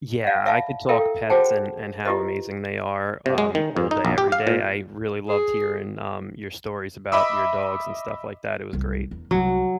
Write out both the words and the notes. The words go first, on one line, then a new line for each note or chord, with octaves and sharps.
Yeah, I could talk pets and and how amazing they are, um, all day every day. I really loved hearing, um, your stories about your dogs and stuff like that. It was great.
F5 F#5
D5 E5 F5 A5 B5
E4 A4 A#4 E5 F5 G5
F#4 G#4 C5 F#5 G5 A5
E4 F4 G4 B4 D#5
C3
G#3
D#3
F2
D#4
A#1
G4
F5
A#2
G#4
D#5 E5 B5 D6 E6
C2 D#3
E2
C2 D#3 F#3